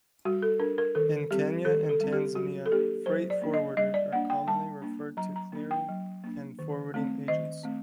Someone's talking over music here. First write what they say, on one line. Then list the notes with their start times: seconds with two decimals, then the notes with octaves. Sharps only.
In Kenya and Tanzania freight forwarders are commonly referred to clearing and forwarding agents.
0.25 G3 F#4
0.42 A4
0.59 D4 A#4
0.78 A#4
0.95 D#3 A4
1.31 G3 C4 G4
1.65 D#3 A4
1.89 A4
2.00 G3 C4
2.13 G4
2.35 F#3 F#4
2.66 A4
2.72 A#3 D4 G4
3.06 F#3 C5
3.30 D5
3.42 A#3 D4
3.54 D#5
3.77 G3 D#5
3.94 D5
4.12 A#3 F#5
4.15 D4
4.30 G5
4.47 G3 A5
4.82 A#3 D4
5.17 F#3 A#5
5.36 A#5
5.52 A#3 D4
5.71 G5
5.88 F#3
6.24 A#3 D4
6.59 D#3
6.94 A3 C4
7.28 D#3 D#5
7.63 A3 C4